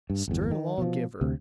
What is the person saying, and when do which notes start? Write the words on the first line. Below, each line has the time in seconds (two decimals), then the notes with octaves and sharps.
Stern lawgiver!
0.10 G2
0.28 G1 E2
0.51 D#3
0.78 B2 F3
1.21 D2 C3